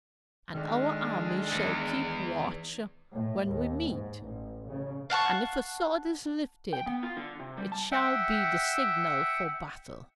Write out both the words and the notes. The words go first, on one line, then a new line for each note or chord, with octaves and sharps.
"And our armies shall keep watch when we meet, and if a sword is lifted it shall be the signal for battle."
D3 D#3 G#3 D4 F6
E2
A2
D#2
G#2
A1
C#3
F5 F#5 A5 C#6
G5
B3
F4
D3
C3
G3
A5
E5 F#5 G5